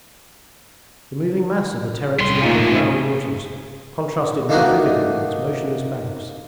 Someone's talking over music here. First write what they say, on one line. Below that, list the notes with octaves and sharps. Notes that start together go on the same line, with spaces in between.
The moving mass of the Terek's rapid brown waters contrasted more vividly with its motionless banks.
C2 B3 C6
A#2 A3 C#4 D#4 F4
D#3 A3 A#3 D4 D#4 F#4